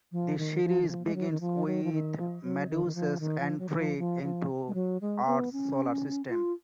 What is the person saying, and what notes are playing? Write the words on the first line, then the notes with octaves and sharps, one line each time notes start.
The series begins with Medusa's entry into Earth's solar system.
F3
D#3
F3
D#3
F3
G#3
F#3
D#3
F3
F#3
F3
D#3
F3
F#3
D#3
D#3
F3
D#3
F3
F#3
D#3
F3
F3
F3
G#3
F#3
G#3
B3
C#4
F4